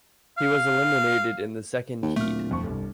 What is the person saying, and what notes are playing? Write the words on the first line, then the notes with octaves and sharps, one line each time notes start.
He was eliminated in the second heat.
F5
D#2
D1 A#2 A3 F6
F2 C#6
G1 C2